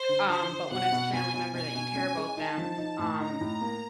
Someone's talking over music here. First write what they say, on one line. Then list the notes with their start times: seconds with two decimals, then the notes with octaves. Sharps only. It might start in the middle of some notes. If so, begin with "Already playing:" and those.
Um, but when it's a family member that you care about them, um
Already playing: C5
0.09 D3
0.29 D3 C5
0.51 D3
0.71 B2 F#5
0.92 B2
1.13 B2 G#5
1.34 B2
1.54 B2 G#5
1.75 B2
1.95 C#4
2.16 G#3
2.37 D#4 A5
2.58 F3
2.78 D#4
2.99 A2
3.20 D#4 A#5
3.41 A2
3.61 A#3